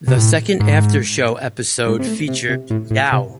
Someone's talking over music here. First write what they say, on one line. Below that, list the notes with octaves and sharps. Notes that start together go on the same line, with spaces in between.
The second aftershow episode featured Yeoh.
C3
A2
G#2
G#2
C3
A2
C3
C3
A2
A2
C3